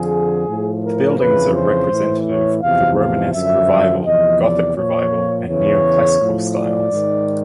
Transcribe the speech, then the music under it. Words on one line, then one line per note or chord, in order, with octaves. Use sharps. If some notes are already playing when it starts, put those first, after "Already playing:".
The buildings are representative of the Romanesque Revival, Gothic Revival, and Neo-Classical styles.
Already playing: F2 D3 F3 G#4
A2 F3
A#4
F2 C#3 E3 B4
C5
A2 E3
C#5
E2 C3 F3 F5
F5
F#2 D3 F3 E5
E2 C3 F3 D#5
D5
A#2 F3 C#5
E2 C#3 E3 C#5
A2 F3
D5
G#2 D#3